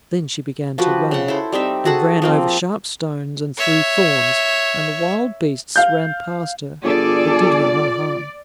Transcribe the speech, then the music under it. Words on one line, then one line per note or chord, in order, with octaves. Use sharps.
Then she began to run, and ran over sharp stones and through thorns, and the wild beasts ran past her, but did her no harm.
F3 F#4 G4 B4
C#3 F#5
E4 A4 C5
G3 C4 D#4 E5
F#4 G#4 A4 F#5
F3 A#3 C4
C#5 E5
F5 G6
G1 F4 G#4 A4 D5